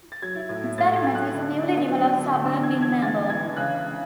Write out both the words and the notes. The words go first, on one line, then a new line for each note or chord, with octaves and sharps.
Derrimut is a newly developed suburb in Melbourne.
A6
F#3 G#6
E4
A2
E4
A2 A6
A3 G#6
F#3
E4 F#6
D3
D4
D4
B3
F#3
D4
D3
D3
D4 E6
E3 G#6
D4
E3 G#6
G#3 A6
D4
E3 G#6
E3
C#3 F#6